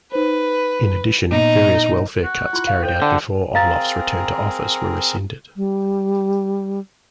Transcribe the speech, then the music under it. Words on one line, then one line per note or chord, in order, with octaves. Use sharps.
In addition, various welfare cuts carried out before Olof's return to office were rescinded.
D#4 B4 C5
A#2 A#3 B3 D#4
F#4
E4 F4 C6
F5
A4 C5 C#5 G5
D3
C4 G#4 A#4 F5 A#5 A6
G3